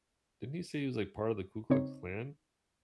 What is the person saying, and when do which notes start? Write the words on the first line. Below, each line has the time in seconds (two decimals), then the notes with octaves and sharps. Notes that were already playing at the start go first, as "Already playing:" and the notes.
Didn't he say he was like part of the Ku Klux Klan
1.70 C#3 C4 D#4 C#5